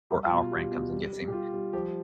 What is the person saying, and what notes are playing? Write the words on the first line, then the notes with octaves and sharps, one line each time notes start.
or our friend comes and gets him,
G3 G4
F4
B2
G3
B2
G3
G3
G4
G3 F4
G3
F3 G4